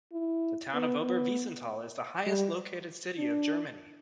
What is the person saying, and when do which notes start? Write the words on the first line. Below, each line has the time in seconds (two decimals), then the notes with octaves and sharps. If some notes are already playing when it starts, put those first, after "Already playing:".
The town of Oberwiesenthal is the highest located city of Germany.
0.12 E4
0.74 B3
1.04 B3
2.26 G3
3.18 D4